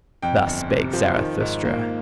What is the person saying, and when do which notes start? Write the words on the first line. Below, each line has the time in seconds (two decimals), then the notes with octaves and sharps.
Thus spake Zarathustra.
0.22 F2 G5
0.47 G1
0.70 C3
0.93 F3
1.18 D#3
1.40 G#2
1.65 A#3